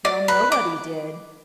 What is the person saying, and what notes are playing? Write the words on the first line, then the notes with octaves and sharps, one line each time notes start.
Well, nobody did.
D5
B4
D6